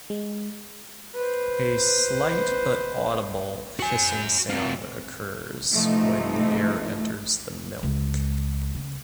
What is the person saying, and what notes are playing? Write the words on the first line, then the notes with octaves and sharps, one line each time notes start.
A slight but audible hissing sound occurs when the air enters the milk.
G#3
B4 C5
F#4 G#5
C3 F4
C3 E3 F3 A3 D#4
C#2
C#3